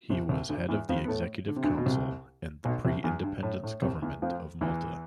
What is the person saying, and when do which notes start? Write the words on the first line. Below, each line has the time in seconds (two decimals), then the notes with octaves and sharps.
He was head of the executive council and the pre-independence government of Malta.
0.10 C2 C3
0.29 C2 C3
0.49 D2 D3
0.69 E2 E3
0.89 F2 F3
1.04 B3
1.08 A2 A3
1.48 D3
1.56 C3
1.64 D2 D3
1.78 B2
1.86 C2 C3
2.65 B1 B2
2.85 C2 C3
3.04 E2 E3
3.23 G2
3.43 A2
3.64 A2
3.82 C2 C3
4.02 E2 E3
4.22 F2 F3
4.61 E2 E3